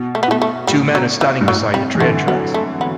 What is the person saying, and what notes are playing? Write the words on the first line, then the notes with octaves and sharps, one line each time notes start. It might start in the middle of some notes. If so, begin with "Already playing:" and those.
Two men are standing beside the train tracks.
Already playing: B2
A3
B3
B2 A3
A3
A2 G3
F#3
E3
G2
A2 F#3
C3 G3
E3
D3 A3
F#3 B3
A3
B3